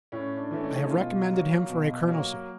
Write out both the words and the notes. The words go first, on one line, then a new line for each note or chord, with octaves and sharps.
I have recommended him for a colonelcy.
A2 C#4
D4
E3 A3 C#4
D#4
B2 F4
F#3 A#3
B2
F#3 A#3